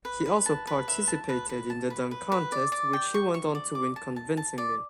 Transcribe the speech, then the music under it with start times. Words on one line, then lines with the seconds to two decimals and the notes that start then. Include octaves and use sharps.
He also participated in the dunk contest which he went on to win convincingly.
0.05 B4
0.26 B4
0.46 A5
0.67 B4
0.88 E5
1.07 A5
1.29 B4
1.49 B4
1.70 A5
1.90 B4
2.11 B4
2.32 B4
2.52 D5
2.72 D5
2.93 G5
3.14 C#6
3.34 C#6
3.55 D5
3.75 D6
3.96 A5
4.16 A5
4.37 A5
4.58 D5